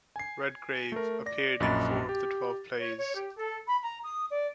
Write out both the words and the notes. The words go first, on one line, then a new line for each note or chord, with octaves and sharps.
Redgrave appeared in four of the twelve plays.
G#5 C7
A3 A#4
D5 A#6
A#1 F#2 F#4 D#5 B5 A6
G4
C#5
C#5
G4
A4
B5
A#5
D#6
D5